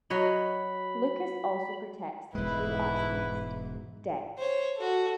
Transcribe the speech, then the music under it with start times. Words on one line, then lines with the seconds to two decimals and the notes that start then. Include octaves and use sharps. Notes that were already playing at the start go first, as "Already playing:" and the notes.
Lucas also protects the true arsonist: Deb.
0.10 F#3 C#5 D#5 B5
2.35 E1 G#2 G#3 E4 B4
4.38 C5 C#5
4.77 F#4 A4